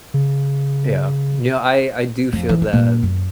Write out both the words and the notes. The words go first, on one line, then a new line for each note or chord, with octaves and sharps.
Yeah. You know, I I do feel that,
C#3
F2
E3
C4
A#2
F#2